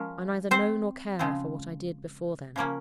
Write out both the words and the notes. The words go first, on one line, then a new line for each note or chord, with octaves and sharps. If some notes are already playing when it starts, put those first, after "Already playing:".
I neither know nor care for what I did before then.
Already playing: F3 G#3 C#4 A#4
C4 C5
C#3 F3 G#3 C4
C#3 F3 A#3 C#4